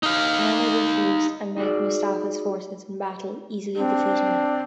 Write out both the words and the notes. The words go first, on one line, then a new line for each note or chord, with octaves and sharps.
Mehmed refused and met Mustafa's forces in battle, easily defeating them.
D#4 F5
D#4 F#4 G#4 D5
C4 D4